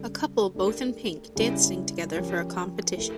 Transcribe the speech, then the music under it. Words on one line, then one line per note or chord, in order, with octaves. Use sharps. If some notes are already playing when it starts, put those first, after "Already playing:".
A couple, both in pink, dancing together for a competition.
Already playing: C#3 G3 D4 A4
A3 D4 G4 A#4
C#3 G3 C#4 E4
F3 C#4 G4 A#4
A3 E4 G4 A#4